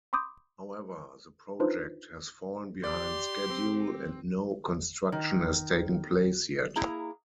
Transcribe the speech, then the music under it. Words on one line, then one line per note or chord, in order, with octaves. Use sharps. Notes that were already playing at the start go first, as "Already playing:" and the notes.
However, the project has fallen behind schedule, and no construction has taken place yet.
B5 C6 D6 D#6 G6
D4 D#4 F4 B4 C5
G4 D5 C6
C4
D#3
A#3 E4 G#4 A#5